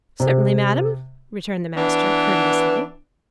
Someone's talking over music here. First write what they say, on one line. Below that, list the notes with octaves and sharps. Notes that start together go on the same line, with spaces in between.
"Certainly, madam," returned the master, courteously.
C3
E3 B3 D4